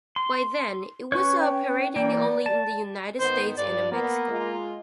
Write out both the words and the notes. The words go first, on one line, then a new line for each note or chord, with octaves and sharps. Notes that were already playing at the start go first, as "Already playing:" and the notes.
By then, it was operating only in the United States and Mexico.
C6
C#4 B4 C#5 C#6
G5
E3 A#3 D5 G5
A5
G#2 D#3 B3 C5
G2 D5
A#3 B3
G#3 F4